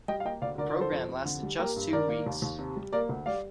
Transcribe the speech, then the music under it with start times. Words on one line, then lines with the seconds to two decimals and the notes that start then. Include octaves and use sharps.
The programme lasted just two weeks.
0.08 G3 D#5 G5
0.20 F5
0.25 A#3 D#5 G5
0.42 D2 D5 F5
0.58 D3 A#4 D5
0.69 A#4 D5
0.75 F3
0.80 A4 C5
0.92 F2
1.09 F2
1.25 D3
1.43 G3
1.59 A#3 G4 A#4
1.76 G2
1.93 D#3 A#4 D5
2.09 A#3
2.26 D#2
2.42 D#2
2.59 C3
2.76 G3
2.93 A#3 A#4 D5
3.09 D2
3.26 G3 D5 F5